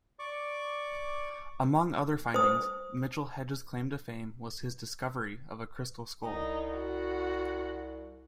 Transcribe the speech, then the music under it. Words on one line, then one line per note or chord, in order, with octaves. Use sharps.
Among other findings, Mitchell-Hedges' claim to fame was his "discovery" of a "crystal skull".
D5 C#6 D6
C5 D#6
C2 D#4
F#4